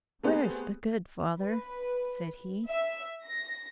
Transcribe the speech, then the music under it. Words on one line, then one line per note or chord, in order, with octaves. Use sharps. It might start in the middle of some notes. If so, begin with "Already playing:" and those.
'Where is the good, father?' said he.
A3 B3 C4 G4 G#4
B4
E5
A#6